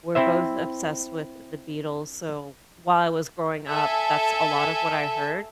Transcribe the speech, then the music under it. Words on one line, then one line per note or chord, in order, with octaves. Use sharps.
were both obsessed with the Beatles, so, while I was growing up, that's a lot of what I heard.
C4 E4 C5 E5
A4 E5 G#5